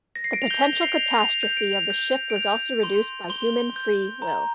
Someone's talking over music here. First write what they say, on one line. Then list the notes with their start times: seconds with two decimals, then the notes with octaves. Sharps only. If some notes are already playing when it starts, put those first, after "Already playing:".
The potential catastrophe of the shift was also reduced by human free will.
0.16 A#6
0.24 C7
0.33 D7
0.42 F7
0.50 G6 G7
0.73 F7
0.83 C7
0.89 D7
0.96 G6 F7
1.20 F7
1.43 G6 F7
1.57 D7
1.71 F7
1.90 G6
2.30 D7
2.36 G6 F7
2.83 C6
3.30 C6 G7
3.76 G6
4.22 A#5